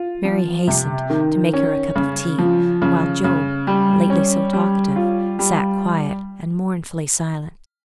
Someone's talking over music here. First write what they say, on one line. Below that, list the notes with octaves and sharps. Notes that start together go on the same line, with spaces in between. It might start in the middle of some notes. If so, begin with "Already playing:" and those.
Mary hastened to make her a cup of tea; while Job, lately so talkative, sat quiet and mournfully silent.
Already playing: F4
F3
C3
D#3
C#4
C#3
F3
C#3
C#3
G3
C#4
G3
F4
G3